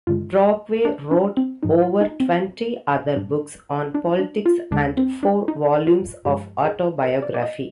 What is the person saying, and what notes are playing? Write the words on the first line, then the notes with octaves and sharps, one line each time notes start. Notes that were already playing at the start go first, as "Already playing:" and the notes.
Brockway wrote over twenty other books on politics and four volumes of autobiography.
G2 D3 G#3 F4
D4
D4
C4
G#2 F3 G#3 D#4
F4
D#4
C4
G#2 G3 D4
D4
D4
F4
D#2 D3 G#3 D4
C4
D4
D#4
F4
G2 F3 G#3 G4
G#4
A#4
D5
D5
D#5